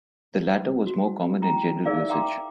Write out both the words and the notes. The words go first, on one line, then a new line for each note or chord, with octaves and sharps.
The latter was more common in general usage.
F#4
E4 G5 A#5
D#4 G#4 A#4 D5 E5 F5
E5 F#5 G5 A#5 C6 D6